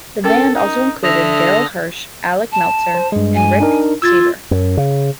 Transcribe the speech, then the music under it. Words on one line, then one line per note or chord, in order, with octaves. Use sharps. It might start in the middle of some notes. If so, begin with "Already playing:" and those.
The band also included Daryl Hirsch, Alec Meltzer, and Rick Sieber.
C#4 A4 A#4 G5
D#4
D3 E5 D#6 A#6 F7
A5
C5
G2 G#3
G#5
D4 D#4 A#4
F4 E6 G#6 A6
F#2
C#3